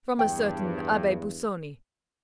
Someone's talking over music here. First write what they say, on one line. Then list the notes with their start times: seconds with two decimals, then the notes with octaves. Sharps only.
"From a certain Abbe Busoni."
0.19 E2 G2 G5